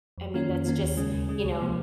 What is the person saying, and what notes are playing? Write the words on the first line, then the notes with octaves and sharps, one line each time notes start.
I mean that's just, you know,
F2
D#3 A#3 C#4 F4
F2
D#3 A#3 C#4 F4
D#2
C#3 G#3 C#4
D#2
C#3 G#3 C#4
C#2
C3 F3 A#3